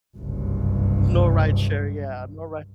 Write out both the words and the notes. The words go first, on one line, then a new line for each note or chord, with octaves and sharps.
no rideshare, yeah, no ri
F#1 C2 G2